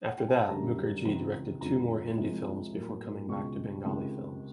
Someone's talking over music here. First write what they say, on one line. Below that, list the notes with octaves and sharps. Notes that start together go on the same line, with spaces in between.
After that Mukherjee directed two more Hindi films before coming back to Bengali films.
F#5
G5
G#5
A5
F#2 D3 G3 A#5
C#2 C3 E3 A#5
F2 D3 F3 G#3 A#5
C2 C3 F3 G#3 C4
A2 F#3 A#3
C#2 B2 G#3 C#6
C#2 C3 D#3 G#3